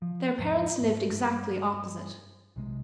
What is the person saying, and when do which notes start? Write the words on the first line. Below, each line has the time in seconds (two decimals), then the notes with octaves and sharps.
Their parents lived exactly opposite.
0.02 F3
0.38 E2 G#2 F3
0.80 G#2
1.09 G2
2.56 B1 C3 G#3